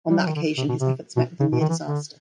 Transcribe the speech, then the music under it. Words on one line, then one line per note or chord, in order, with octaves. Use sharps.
On that occasion his efforts met with a near disaster.
G3
F#3
D#3
D3
C3
B2
C3
B2
C#3
B2
D#3
E3
D3